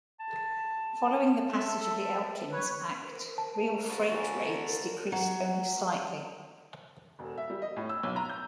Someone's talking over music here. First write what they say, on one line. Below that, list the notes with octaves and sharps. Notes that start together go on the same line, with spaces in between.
Following the passage of the Elkins Act, real freight rates decreased only slightly.
A5
A4 E5
B4 C#5
A5
A#4
D2 F#4 F5 B5
C#4 A#4 G#5
F#3
E1
E5
G3
D#5
A2
E6
B1
A#5
G6